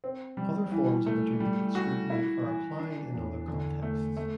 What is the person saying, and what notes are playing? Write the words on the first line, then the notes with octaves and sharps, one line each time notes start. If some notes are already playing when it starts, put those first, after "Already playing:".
Other forms of intermediate scrutiny are applied in other contexts.
C4
G3
E3
A3
G3
F#4
E4
E3
D4
E2
D3
A3
A3